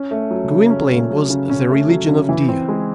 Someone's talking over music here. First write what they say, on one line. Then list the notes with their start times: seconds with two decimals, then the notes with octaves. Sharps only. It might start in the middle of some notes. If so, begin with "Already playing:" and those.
Gwynplaine was the religion of Dea.
Already playing: C#4
0.11 A3
0.31 F#3
0.50 C#3
0.70 C#4
0.90 A3
1.10 F#3
1.30 C#3
1.50 C#4
1.70 A3
1.89 F#3
2.09 C#3
2.29 E3
2.49 C4
2.68 G#3